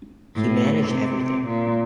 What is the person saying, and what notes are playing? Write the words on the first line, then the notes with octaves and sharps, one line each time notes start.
He managed everything.
A2
C3
A#2